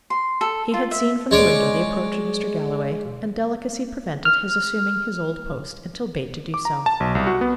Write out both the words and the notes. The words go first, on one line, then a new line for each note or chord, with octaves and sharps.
He had seen from the window the approach of Mr. Galloway, and delicacy prevented his assuming his old post until bade to do so.
C6
A4
F4
E5
G#3 C#5 D5
F6
D6
A#5
A5
B1
C2
F#4
B3